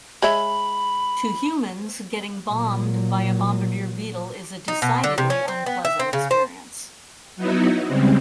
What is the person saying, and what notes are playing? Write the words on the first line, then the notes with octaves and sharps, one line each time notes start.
To humans, getting "bombed" by a bombardier beetle is a decidedly unpleasant experience.
G#3 C#5 E5 B5
A#2 F#3
D#4
B2
D3
C3
C#4
C4
B3
E5
C4
C#3
C5
F#3 B3 D#4 E4 F#4
C#3 G3 G#3 C4